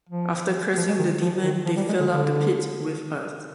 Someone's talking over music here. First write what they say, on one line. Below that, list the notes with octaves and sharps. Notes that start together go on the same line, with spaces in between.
After cursing the demon, they fill up the pit with earth.
F3
F3
G#3
D#3
F3
D#3
F3
G3
G#3
D3
D3